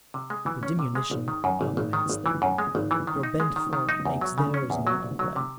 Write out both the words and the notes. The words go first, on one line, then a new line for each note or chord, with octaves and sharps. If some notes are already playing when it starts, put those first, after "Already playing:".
Your diminution augments them. Your bent form makes theirs more upright.
C3
G#3
E3
C#4
C3
G#3
G#1
D#3
F#2
G#1
G#1
D#3
G#1
E3
F#2
G#3
G#1
E3
D#3
D#4
G#3
D#3
D#3
D#4
E2
F#3
C#3
C#4
E2
F#3
C2
F#3
C3